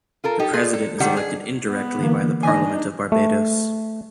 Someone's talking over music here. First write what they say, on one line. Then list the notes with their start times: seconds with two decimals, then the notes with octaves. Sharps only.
The president is elected indirectly by the Parliament of Barbados.
0.24 F4 A4 A#4
0.39 D#4 G4 A4
0.53 F4 G#4 D5
0.73 A4
1.00 D#3 G3 D4 G4 F#5
1.17 G#4
1.67 B3
1.99 D3 E3 A#3
2.43 D4 D#4 D#5 G#5
3.12 A3